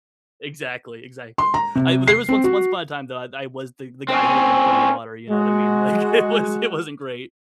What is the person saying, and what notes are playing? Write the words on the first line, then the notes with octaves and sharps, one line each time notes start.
exactly, exactly. I there was once once upon a time that I I was the the guy who would, like, burn water, you know what I mean, like it was it wasn't great.
C6
A#5
C3
C7
C4
F#4
C4 C#4
G#3 F#4